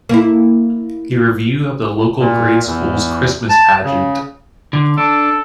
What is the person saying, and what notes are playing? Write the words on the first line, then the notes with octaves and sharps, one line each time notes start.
A review of the local grade school's Christmas pageant.
A#3 E4
A#2
E2
A5
C#3
D3
D4 A4